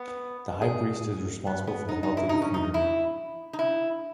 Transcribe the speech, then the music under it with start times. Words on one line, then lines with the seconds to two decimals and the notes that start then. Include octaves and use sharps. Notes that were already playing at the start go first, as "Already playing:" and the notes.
The high priest is responsible for the health of the community.
Already playing: B3
0.62 G#4
1.47 B3
1.67 B3
1.89 D#4
2.03 D#4
2.17 E4
2.29 D#4
2.42 C#4
2.54 D#4
2.74 E4
3.53 D#4
3.59 E4